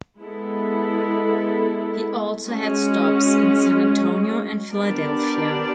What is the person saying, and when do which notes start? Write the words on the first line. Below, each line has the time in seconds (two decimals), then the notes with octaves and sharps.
He also had stops in San Antonio and Philadelphia.
0.20 G#3 B3 E4 A4
2.46 G#3 C#4 F#4
4.71 B3 D4 G4 A#4 D5